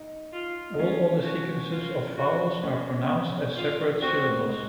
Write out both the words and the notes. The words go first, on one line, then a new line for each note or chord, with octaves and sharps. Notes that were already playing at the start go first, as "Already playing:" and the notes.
All other sequences of vowels are pronounced as separate syllables.
Already playing: D#4
F4
D#4
C#4 F4
F#4
F4
F#4
C#4
F4
C4 F#4
A#3
G#3